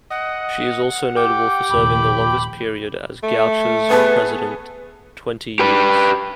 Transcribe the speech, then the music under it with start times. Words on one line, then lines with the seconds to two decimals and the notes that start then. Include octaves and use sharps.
She also is notable for serving the longest period as Goucher's president, twenty years.
0.10 D#5 F#5
1.16 G4 G5 D6
1.70 F1 D#2 A#2 B5
3.24 A3
3.90 B3 G#4 A4 B4
5.59 G4 B4